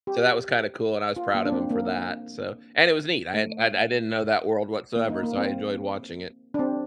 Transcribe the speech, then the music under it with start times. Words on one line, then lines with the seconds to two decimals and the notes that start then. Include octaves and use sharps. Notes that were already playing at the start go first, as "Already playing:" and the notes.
so that was kinda cool, and I was proud of him for that, so and it was neat, I had I I didn't know that world whatsoever, so I enjoyed watching it.
0.07 G4
1.16 F4
1.35 A#3
1.45 D4
1.52 C4
1.71 A#3
3.34 A3
4.96 A#3
5.10 D#4
5.23 A#3
5.37 C4
6.54 D4
6.59 C4